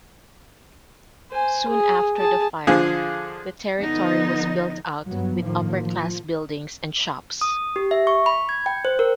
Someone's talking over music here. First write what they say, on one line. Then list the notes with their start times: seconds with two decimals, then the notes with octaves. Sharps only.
Soon after the fire, the territory was built out with upper-class buildings and shops.
1.31 C5 G#5
1.68 G#4
2.17 G#4 A5
2.67 D3 F3 G#4 F5
3.79 D3 F3 B3 D#4
5.08 G2 F#3 B3
5.42 A2 D#3 F3 A#3
5.79 F3
7.41 D#6
7.76 G4
7.91 E5
8.07 C#6
8.26 B5
8.49 G#6
8.66 G5
8.85 C5
8.99 A#4